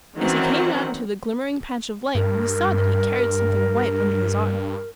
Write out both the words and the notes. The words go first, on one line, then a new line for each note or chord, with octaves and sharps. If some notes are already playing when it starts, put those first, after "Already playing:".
As he came out into the glimmering patch of light, we saw that he carried something white under his arm.
D#3 E3 F#3 C4 C#4 F#5
G2 A#4